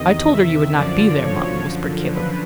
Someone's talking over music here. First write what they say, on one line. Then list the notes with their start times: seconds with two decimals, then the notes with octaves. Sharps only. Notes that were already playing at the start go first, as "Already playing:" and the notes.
"I told her you would not be there, mum," whispered Caleb.
Already playing: E2 C3 D#3 D#5
0.33 E5
0.78 F#2 D3 F3 D5
1.24 C#5
2.14 B4